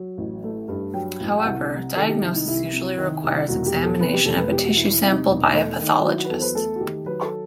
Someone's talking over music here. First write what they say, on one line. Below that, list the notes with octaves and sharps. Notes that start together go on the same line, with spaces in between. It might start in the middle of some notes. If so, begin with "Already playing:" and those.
However, diagnosis usually requires examination of a tissue sample by a pathologist.
Already playing: F#3
A1
A3
G2
F#3 G5
A1
G5
C2 F#5
C3
D#3 A4
G4
C2 E4
D#4
C2 E4
C3
D#3
C2
E1 F#4
G4
E2
A4
C3 B4
G4
E1 A4
B4
E1 G4
F#4
E2 E4
E4
C3 E4
D#4
E1 D#4
A3
D#3
F#4
F#3 E4
F#4
B4
E2 A4
C5
B4
A3 A4
F#4
D#3 G4
F#3 B4
A4